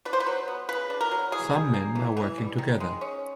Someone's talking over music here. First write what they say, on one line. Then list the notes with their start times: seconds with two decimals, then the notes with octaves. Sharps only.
Some men are working together.
0.05 D4 B4
0.13 C5
0.20 B4
0.27 F#3
0.48 B3
0.69 C#3 B4
0.90 D4
1.01 A#4
1.11 F#3
1.32 E3 G#4
1.53 G3
1.74 A#3
1.95 E3
2.17 E3
2.38 G3
2.58 D#3
2.80 G#3
3.01 C#4